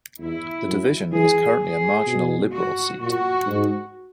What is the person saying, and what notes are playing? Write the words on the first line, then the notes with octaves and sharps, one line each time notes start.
The division is currently a marginal Liberal seat.
E2 E4
F#2
E3 G#4
G#4
B2
F#4
A#2 F#4
G#2